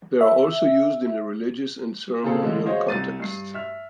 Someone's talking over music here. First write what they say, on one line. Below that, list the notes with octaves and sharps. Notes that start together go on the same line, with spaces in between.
They are also used in a religious and ceremonial context.
E5
A#2 C#3 C4 G#4 A4
D3 E3 G#3
F#4 G#4 C5 C#5 D#5 F5
C2 A6 D#7
G2 C7
E5 F6